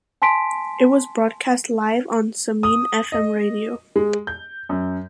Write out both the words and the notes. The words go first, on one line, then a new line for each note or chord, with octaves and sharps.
It was broadcast live on Zamin Fm radio.
G#5 A5 C6 B6 D7
D#6
D#5
G#3
G6
F#2